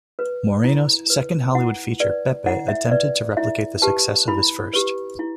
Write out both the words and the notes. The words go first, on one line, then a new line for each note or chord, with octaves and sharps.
Moreno's second Hollywood feature, "Pepe", attempted to replicate the success of his first.
B4
E4
B4
E4 F#5
B4 D5
E4 F#5
E5
B4 D5
E4 E5
G4 B4 A5
E4 B5
G4 B4
E4